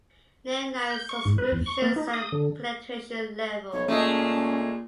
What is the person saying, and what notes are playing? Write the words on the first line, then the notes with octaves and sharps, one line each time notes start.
Landline Subscriptions and Penetration level.
G6
C#6
G#2
B4
E2
C#6
A#3
D#4
D#6
D3
B1 C#5
A#2 G#3 A3 C#4